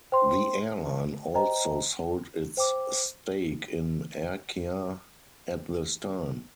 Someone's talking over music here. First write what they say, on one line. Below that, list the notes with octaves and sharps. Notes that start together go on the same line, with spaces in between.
The airline also sold its stake in Arkia at this time.
C5 G5 C6
C5 D#5 G5 A#5
C5 G5 D6